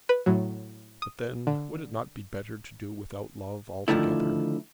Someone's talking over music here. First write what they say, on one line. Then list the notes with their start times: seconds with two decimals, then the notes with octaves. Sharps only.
But then would it not be better to do without love altogether?
0.09 B4
0.26 A2 F#3
1.02 D#6
1.47 D3
3.88 D3 D#3 F3 A3 E4